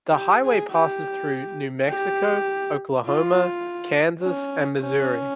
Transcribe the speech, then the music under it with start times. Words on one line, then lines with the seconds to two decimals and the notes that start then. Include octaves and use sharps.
The highway passes through New Mexico, Oklahoma, Kansas, and Missouri.
0.12 G4
0.43 G#4
0.71 G4
1.89 G4
3.05 F4
4.22 C#4
4.81 C#4